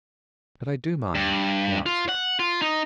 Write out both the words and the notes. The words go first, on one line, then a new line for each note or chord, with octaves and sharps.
"But I do mind," he answered.
G2
F4
F#5
F4
D#4